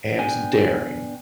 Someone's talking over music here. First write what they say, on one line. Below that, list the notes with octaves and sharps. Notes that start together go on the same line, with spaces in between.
And daring.
B3 D4 G5 G#5